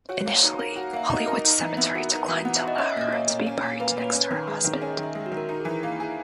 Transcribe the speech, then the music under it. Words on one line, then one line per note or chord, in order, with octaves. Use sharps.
Initially, Hollywood Cemetery declined to allow her to be buried next to her husband.
F#4 C#5
A#3
D#4
A#4
F#4
F#5
A#3 E5
D#4 D#5
A#4
D#4
E3
B3 E5
F#4
D#4
E3
B3 F#5
E5
F#4
D#5
C#4 E5
E5
A#2 D#5
A#3 C#5
A#2
C#4
A#2
A#3 B4
A#2 C#5
B4
C#4 B4
D#3
G#3
D#3
G#4
C#4 A#4
D#5
E5
D#3
E5
G#3 E5
F#4
D#3
A#4
D#4 A#4
E3 G#4
E4
A#3
G#4